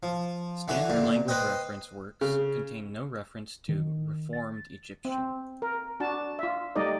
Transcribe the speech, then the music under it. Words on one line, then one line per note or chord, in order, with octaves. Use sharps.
Standard language reference works contain no reference to "reformed Egyptian".
F3
D3 E3 E4 F#4
A#2 D3
B4 C5 D#5 G5
C#3
D#3
A6
C4
A#4
D4 F#4 A5
F4 E5
G3 A3 D#4 D5 D#5